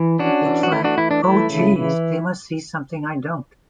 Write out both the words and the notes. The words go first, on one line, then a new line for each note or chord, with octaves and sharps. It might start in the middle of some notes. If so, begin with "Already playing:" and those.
It's like 'oh geez they must see something I don't'.
Already playing: E3
C#4 D4 F#4
E3
F#4
A3 E4
D4 F#4
E3 E4
D4
A3 E4
C#3
E3